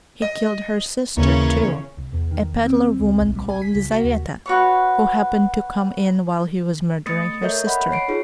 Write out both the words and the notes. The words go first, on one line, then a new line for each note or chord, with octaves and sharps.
He killed her sister too, a pedlar woman called Lizaveta, who happened to come in while he was murdering her sister.
D#5
D#2 C#3 E3 A#3 C#4 C#5
C2
E2
D#3
C4
C#2
A#1
G3
G#5
B6
C#2
F#4
D#2
F#4 B4 C#5
A3 D#6 A6 C#7
A4 A#4 C#5 D#5 E5 G6
D#5 F#5 B5
C#5 C7 D7
D#4 F4 G#4 C#5